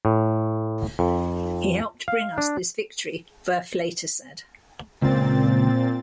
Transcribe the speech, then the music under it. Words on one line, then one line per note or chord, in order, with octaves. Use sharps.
He helped bring us this victory, Wurf later said.
A2
F2
F5
D4
C#2 A#2 C4 A6